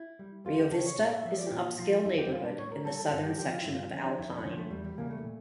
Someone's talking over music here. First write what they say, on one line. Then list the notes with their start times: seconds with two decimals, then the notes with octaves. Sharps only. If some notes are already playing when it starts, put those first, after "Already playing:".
Rio Vista is an upscale neighborhood in the southern section of Alpine.
Already playing: E4
0.19 G3
0.46 F2 F4
0.59 G4
0.72 C#3 F3 A4
0.86 C#5
0.98 A2 A4
1.07 D5
1.13 E5
1.25 F3 E5
1.38 D5
1.47 G4
1.52 A#2 F4
1.79 F3 F4
2.05 F2 E4
2.18 G4
2.31 D3 G3 F4
2.45 D4
2.58 A2 C#5
2.72 A#4
2.85 G3 A4
2.98 A4
3.11 G2 A4
3.25 G4
3.38 D3 F3 G4
3.51 F4
3.62 G2 E4
3.72 F4
3.91 D3 F3 C#4
4.05 D4
4.18 F2 E4
4.32 D4
4.44 D3 F3 C#4
4.58 A3
4.70 E2 G3
4.84 G3
4.98 C#3 E3 G3 A#3
5.11 A3
5.24 A#2